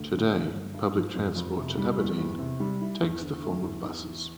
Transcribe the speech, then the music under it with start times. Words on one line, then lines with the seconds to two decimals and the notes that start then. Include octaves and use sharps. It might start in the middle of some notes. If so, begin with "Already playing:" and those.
Today, public transport to Aberdeen takes the form of buses.
Already playing: D2
0.13 D3
0.33 A#3
0.54 G1
0.74 G2
0.95 F3
1.15 F2
1.36 F2
1.57 C3
1.78 G3
1.98 E2
2.18 E2
2.39 C3
2.60 G3
2.81 E4
3.01 E2
3.22 D3
3.43 A3
3.63 E2
3.84 E2
4.04 E3